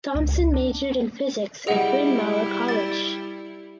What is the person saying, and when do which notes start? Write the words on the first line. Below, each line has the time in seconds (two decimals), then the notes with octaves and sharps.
Thompson majored in physics at Bryn Mawr College.
0.15 C#2
0.54 D4
1.67 G3 E4 G#4 D#5 F#5
2.68 A6